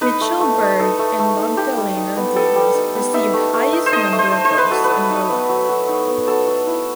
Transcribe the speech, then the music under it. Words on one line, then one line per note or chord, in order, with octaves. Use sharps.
Michal Berg and Magdalena Davis received highest number of votes and were elected.
D#4 B4
A3
A3
D#4
D#4 A4
A3
A3
D#4
G3 G4
G3
D#4
B3
G3 A4
G3
D#4
B3
D#4 E5
A3
A3
D#4
C5
D#4 D#5
A3
C5
A3
C5
D#4
B4
F#3 A4
B4
F#3
D#4
B3
F#3
F#3
D#4
B3
F#3 A4
F#3
E4